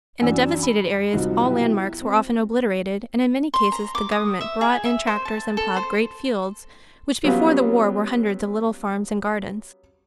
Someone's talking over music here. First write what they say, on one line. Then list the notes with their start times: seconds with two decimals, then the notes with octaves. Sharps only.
In the devastated areas all landmarks were often obliterated and in many cases the government brought in tractors and plowed great fields which before the war were hundreds of little farms and gardens.
0.21 F#2 E3 D4 F#5 G#5 E6
0.63 B5
1.13 C2 F3 D#4 F#4
1.43 B2 F#3 B3 E4 F#4 G4
1.64 E4
2.01 C4
3.54 C6
3.72 A#5
3.95 D6
4.11 D#6
4.41 E5
4.61 G#4
4.85 E5
5.07 C5
5.25 A5
5.57 A4
5.76 C5
7.24 F#3 G3 B3 C#4 F4